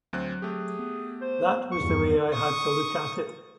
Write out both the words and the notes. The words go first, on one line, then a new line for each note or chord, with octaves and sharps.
That was the way I had to look at it.
D2 F#3 C4 F#6
A3 G4 G#4
B3
C5
E2 G2 C#6
C#6 D#6